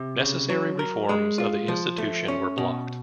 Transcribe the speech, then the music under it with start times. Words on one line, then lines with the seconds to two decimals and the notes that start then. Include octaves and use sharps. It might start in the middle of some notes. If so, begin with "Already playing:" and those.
Necessary reforms of the institution were blocked.
Already playing: C3
0.19 C#3
0.49 F#3
0.79 A#4
1.09 G#3
1.38 F4
1.68 F3
1.98 A3
2.28 C#4
2.58 B2